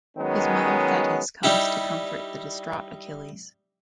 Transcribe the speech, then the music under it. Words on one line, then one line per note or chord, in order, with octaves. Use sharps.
His mother Thetis comes to comfort the distraught Achilles.
D#3 F#3 G#3 B3 C#4
G3 D#4 E4 G4